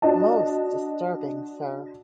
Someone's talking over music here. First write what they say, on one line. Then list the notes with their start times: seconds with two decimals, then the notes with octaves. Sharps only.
Most disturbing, sir.
0.02 D4 F#4 D#5 A5